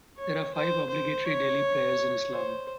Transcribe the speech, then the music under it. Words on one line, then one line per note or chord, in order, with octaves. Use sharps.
There are five obligatory daily prayers in Islam.
C#5
C5
C5
C#5
C5